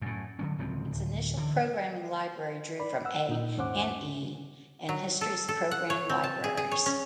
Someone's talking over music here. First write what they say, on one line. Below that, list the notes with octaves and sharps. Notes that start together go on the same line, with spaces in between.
Its initial programming library drew from A and E and History's program libraries.
F#2 A2
D3 F#3 C#4
D1 C#2 F3 C4
D1
D3 E3
D5 B5
F#5 E6
A#2 D#4
D#2 G#2 C#4 C5 F#5 D6
F#3
A4
A4
F#5
C#5
C4
A5
G#4
G#4
C#5
C#4